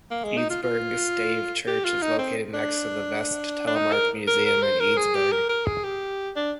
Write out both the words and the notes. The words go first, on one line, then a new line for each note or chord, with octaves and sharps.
Eidsborg Stave Church is located next to the Vest-Telemark Museum in Eidsborg.
A#3
G#3
D#4
F4
F4
G4
F4
D#4
C4
D4
D4
D#4
A#4
A#4
A#4
C5
A#4
G#4
G4
A#4
A#4
G#4
G4
D4